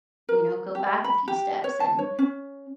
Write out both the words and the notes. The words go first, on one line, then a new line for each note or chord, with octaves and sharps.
you know, go back a few steps, and
A#4
G4
B5
G4
C#5
A5
C#5
C#4